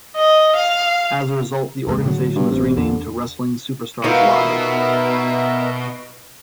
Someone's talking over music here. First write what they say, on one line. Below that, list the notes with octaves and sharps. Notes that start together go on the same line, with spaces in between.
As a result, the organization was renamed to Wrestling Superstars Live.
D#5
F5
D#1 D#2 G#3
A2 D3 F#3
G2
A1 C3
E2 D3
B2 B3 D#4 F4 A#4 E5